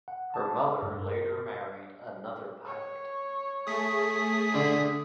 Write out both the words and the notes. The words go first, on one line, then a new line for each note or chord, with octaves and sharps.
Her mother later married another pilot.
F#5
A5
G2
A#4
C#5
A3 G#4 D#6 B6
D3